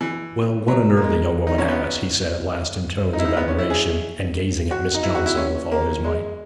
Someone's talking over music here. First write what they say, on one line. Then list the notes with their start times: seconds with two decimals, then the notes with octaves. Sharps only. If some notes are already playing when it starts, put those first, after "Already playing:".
'Well, what a nerve the young woman has!' he said at last in tones of admiration, and gazing at Miss Johnson with all his might.
0.01 E3
0.68 F#3
0.97 A#3
1.02 G#3
1.47 D#4
1.58 C#4
1.68 B3
3.13 D#4
3.19 E4
3.25 D#4
3.37 B3
3.48 C#4
3.58 E4
3.70 G#4
4.71 F#4
4.94 D#4
5.03 E4
5.15 F#4
5.26 E4
5.37 C#4
5.71 A#3
6.04 G#3